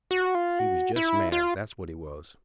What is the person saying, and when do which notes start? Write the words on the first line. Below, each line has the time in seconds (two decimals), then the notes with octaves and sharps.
He was jest mad, that's what he was.
0.11 F#4
0.35 F4
0.59 F#4
0.96 E4
1.32 F4